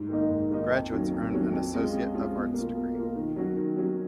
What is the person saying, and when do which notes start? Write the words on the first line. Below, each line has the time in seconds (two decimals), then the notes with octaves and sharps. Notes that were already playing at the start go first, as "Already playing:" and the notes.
Graduates earn an Associate of Arts degree.
Already playing: G#2
0.09 D#3 A#3 D#4
0.30 G#2
0.50 D#3 A#3 D#4
0.70 F2
0.91 D#3 F#3 A#3 C#4
1.12 F2
1.31 D#3 F#3 A#3 C#4
1.52 F2
1.73 F3 G#3 C#4 F4
1.93 F2
2.14 F3 G#3 C#4 F4
2.34 B2
2.54 A#3 F4
2.75 B2
2.95 A#3 F4
3.16 D#3
3.36 F#3 C#4 F#4
3.57 D#3
3.77 F#3 C#4 F#4